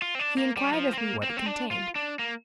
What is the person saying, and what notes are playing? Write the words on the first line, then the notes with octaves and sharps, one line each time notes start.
He inquired of me what it contained.
F4
C4
D4
A#3
G3
F3
C4
A#3
C4
A#3
C4
D4
F4
D4
A#3